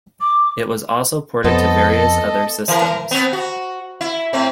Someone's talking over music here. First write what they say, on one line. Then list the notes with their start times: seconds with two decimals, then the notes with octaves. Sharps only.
It was also ported to various other systems.
0.21 D6
1.44 F2 B3 A4 C5 D#5 A5
2.68 E3 A#4
3.11 B3 C4
3.33 F#4
4.01 E4
4.33 A2 C4